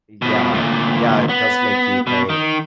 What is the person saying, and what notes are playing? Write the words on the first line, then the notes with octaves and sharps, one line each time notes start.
Yeah. Yeah, it does make you think,
B2 F3
D2 A#2
B3
B2
D#3